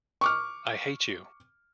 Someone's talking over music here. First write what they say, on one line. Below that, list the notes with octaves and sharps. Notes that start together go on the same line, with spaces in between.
I hate you!
C#6 D6 F6